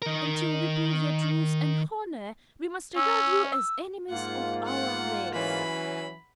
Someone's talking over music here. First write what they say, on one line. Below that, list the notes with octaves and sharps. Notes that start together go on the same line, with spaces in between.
Until we prove your truth and honor we must regard you as enemies of our race.
D#3 A#4
C#4 E6
E6
G#2 A#3 F4 F#5
F#5
E3 F#3 C#4 B5